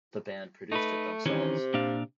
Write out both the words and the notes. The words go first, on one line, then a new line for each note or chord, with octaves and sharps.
The band produced it themselves.
A3 D#4 B4
C3 D#3 E3 C#4
A#2 D4 F5